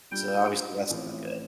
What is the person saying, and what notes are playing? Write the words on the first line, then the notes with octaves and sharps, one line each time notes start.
so obviously that's not good.
A#2 G3 D4 G4 G5
A1 A2 F3 C4 E4